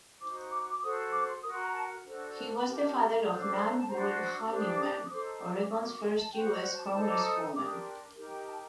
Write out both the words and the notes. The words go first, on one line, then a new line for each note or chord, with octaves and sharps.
He was the father of Nan Wood Honeyman, Oregon's first U. S. congresswoman.
D#4 F#4 C5 D6
D6
D6
F#4 A4 C5 D#6
D6
C6
F#4 A#4 D#6
C6
A#5
A5
F#5
D4 F#4 A4 C5
D#4 G4 A#4 A5
A5
A#5
A#5
D4 A4 C5 D#6
D6
C6
A#5
A5
D4 F#4 C5 A#5
C6
D4 G4 C5 D6
D#6
D6
D#6
D6
D#6
D#4 A4 C5 D6
D#6
D6
D6
F#4 A#4 C6
D6
C6
A5
F#4 C5 G5
F#5
D#5
F#5
A5
A5
D#4 A4 C5 A5
D6
D#6
D4 G4 A#4 D6
D#6
C6
D#4 G4 A#4
A5